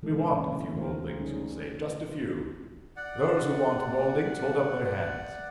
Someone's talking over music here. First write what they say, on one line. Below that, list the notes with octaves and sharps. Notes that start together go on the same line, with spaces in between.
We want a few mouldings, you will say--just a few. Those who want mouldings, hold up their hands.
C3 E3 G#3 A3 E4 A4
D3 E3 A#3 C#4
E3 A3 F4 A#4 C5
G3 C#4 D#4 G#4
D5 F#5